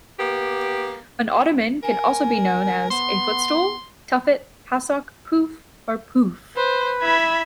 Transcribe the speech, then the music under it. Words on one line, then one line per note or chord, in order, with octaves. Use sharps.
An ottoman can also be known as a "footstool", "tuffet", "hassock", "pouf" or "pouffe".
A#3 B3 G4
A#4 G#5
B3 C6
B4 C5
E4 E5 B5 G#6